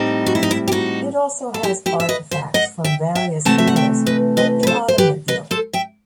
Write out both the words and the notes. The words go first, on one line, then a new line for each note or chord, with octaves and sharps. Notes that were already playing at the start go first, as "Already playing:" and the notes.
It also has artefacts from various eras like the Ottoman Era.
Already playing: A2 G3 C4 D#4
F#4
E4
D#4
E4
G4
D#4 F#4
A4
E4 G4
E4 G4
E5
B4 D#5
C5 E5
D#5 F#5
E5 G5
E5 G5
C3 E3 A3 F#5 A5
E5
F#5
E5 G5
B4 D#5
B4 D#5
B4
A4 C5
C5
G4 B4
B4 D#5
A4 C5
E5 G5